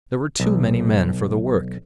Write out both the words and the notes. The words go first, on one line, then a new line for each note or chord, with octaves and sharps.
There were too many men for the work.
B1